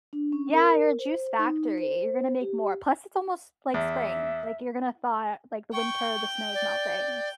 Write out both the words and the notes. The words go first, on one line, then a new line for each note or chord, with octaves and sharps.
Yeah, you're a juice factory. You're gonna make more. Plus it's almost, like, spring. Like you're gonna thaw, like, the winter, the snow is melting. It's
D4
C#4
A#4
C5
D#4
C5
G4
E2 E5
G5 C#6
D5